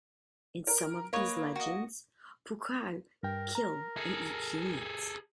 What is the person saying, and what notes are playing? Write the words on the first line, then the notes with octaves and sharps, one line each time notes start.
In some of these legends pouakai kill and eat humans.
A#4
A#3 B4 C#5 D#5
F#4 D#5
G2 A#4 G5
A#4 A#5
G#4 A4